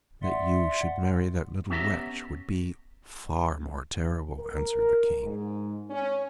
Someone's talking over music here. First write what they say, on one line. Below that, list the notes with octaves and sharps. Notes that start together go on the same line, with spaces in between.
"That you should marry that little wretch would be far more terrible," answered the King.
D5 E5 F#5 C6
B3 C#4 G4 E5 A5 A#5
A#4
G#2
C#4